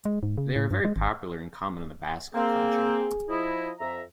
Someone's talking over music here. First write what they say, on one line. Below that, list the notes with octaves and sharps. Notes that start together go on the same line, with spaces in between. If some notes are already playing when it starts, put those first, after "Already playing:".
They are very popular and common in the Basque Country.
G#3
G#2
C#3
A2
G2
G#3
G#1
A#3 C4 G#4
F3 E4 D#5
F2 E5 A#5